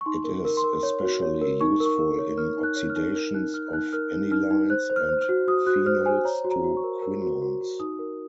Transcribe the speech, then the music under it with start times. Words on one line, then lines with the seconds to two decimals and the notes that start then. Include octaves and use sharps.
It is especially useful in oxidations of anilines and phenols to quinones.
0.01 C#6
0.06 D#4 C6
0.24 A#4
0.45 A#4
0.57 C6
0.64 A#4
0.83 C#5
1.02 F#4
1.22 C#5
1.41 A#4
1.61 D#4 C#6
1.80 A#4
1.86 C#6
1.99 A#4
2.19 C#5
2.37 A#4 F6
2.58 D#4
2.63 F#6
2.76 C#5
2.90 F6
2.96 D#4
3.15 A#4 F6
3.34 D#4 F#6
3.53 D#4 F6
3.66 F6
3.73 D#4 F#6
3.93 A#4 F6
4.12 D#4
4.31 D#4 F6
4.51 D#4
4.70 C5 F#6
4.90 C5
4.96 F6
5.09 C5
5.22 F6
5.29 F#4
5.48 F#4 D#6
5.67 F#4 F#6
5.86 C5 F6
6.06 C5 G#5
6.25 C#5 A#5
6.45 F#4
6.51 A#5
6.64 F#4
6.77 C#6
6.84 A#4
7.02 A#4
7.22 F#4
7.42 F#4
7.61 F#4
7.80 D#4 D#6
7.99 A#4